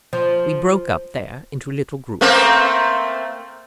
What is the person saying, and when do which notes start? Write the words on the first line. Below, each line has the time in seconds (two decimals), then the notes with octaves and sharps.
We broke up there into little groups.
0.13 F3
2.21 A3 A#3 C4